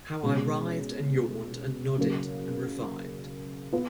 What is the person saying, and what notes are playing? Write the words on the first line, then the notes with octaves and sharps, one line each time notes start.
How I writhed, and yawned, and nodded, and revived!
B2 G#3 C#4
C#3 F#3 A#3
B3 F4